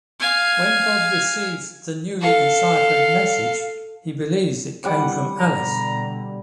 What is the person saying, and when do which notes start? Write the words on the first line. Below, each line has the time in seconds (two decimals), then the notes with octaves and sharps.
When Bob receives the newly enciphered message, he believes it came from Alice.
0.20 F5 G#5
2.21 A4 F5
4.84 G3 F#5 D6
5.39 B2 D3 A#5